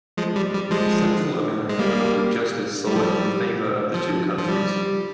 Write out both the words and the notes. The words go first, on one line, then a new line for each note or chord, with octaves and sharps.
The Central American Court of Justice saw in the favor of the two countries.
F3 G#3
G3
G3
F3 G#3
G#3
G3 A#3
G3
F3
G3
F3
F3
G3